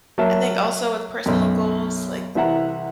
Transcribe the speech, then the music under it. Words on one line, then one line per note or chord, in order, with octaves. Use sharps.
I think also with personal goals, like
F#3 A#3 A#4 E5 A5
B1 F#2
C2 E3 E5 F#5 A#5